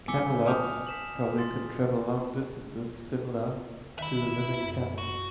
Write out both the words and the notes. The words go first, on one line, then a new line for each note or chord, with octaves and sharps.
"Camelops" probably could travel long distances, similar to the living camel.
G#5 D6 E6 B6 C#7 G7
A5 D6 D#6 F6 G6 F7
B6 E7 F#7
C6 A6
D#3 E5 B5
F#2
F#4